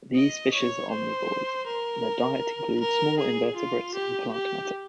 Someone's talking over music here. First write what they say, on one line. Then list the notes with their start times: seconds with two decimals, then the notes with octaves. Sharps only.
These fishes are omnivorous; their diet includes small invertebrates and plant matter.
0.16 D#5
0.54 C#5
0.91 C5
1.67 A#4
2.80 A#4
3.19 G#4
3.56 F4
3.94 G4
4.33 G4